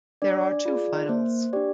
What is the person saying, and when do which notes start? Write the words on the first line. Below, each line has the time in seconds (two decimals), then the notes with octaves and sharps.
There are two finals.
0.22 D4 D5
0.65 F4 G#4
1.09 A#3 C5
1.53 D4 G4 D5